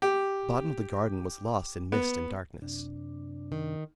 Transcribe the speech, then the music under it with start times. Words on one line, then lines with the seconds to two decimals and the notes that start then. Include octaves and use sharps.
The bottom of the garden was lost in mist and darkness.
0.02 G4
1.92 B3
2.62 F#2 C3 D4
3.52 D#3